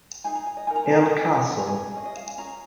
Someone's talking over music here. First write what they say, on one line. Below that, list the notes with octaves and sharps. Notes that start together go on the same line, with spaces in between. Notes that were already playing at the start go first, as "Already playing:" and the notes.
El Caso.
D#4 G#4 G#5
A#5
G#5
D#5
D#4 A#4 G#5
A#5
G#5
A#5
G#5
D#4 G#4 A#5
G#5
A#5
G#5
A#5
D#4 G#5
G#4 A#5
G#5
C#4 G#4 D#5
D#5
F5
G#5
C#4 G#4 A#5